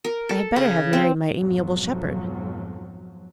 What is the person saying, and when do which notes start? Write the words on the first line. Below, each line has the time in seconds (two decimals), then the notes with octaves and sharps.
I had better have married my amiable shepherd.
0.04 A#4
0.29 A4
0.56 C#3
0.93 C4
1.39 B1 F2 G#2 F3 F#3